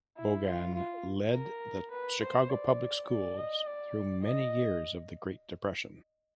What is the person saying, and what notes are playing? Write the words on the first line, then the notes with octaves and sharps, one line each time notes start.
Bogan lead the Chicago Public Schools through many years of the Great Depression.
E4
F4
F4
A#4
B4
C5
D5
D5
D#5
D5
D#5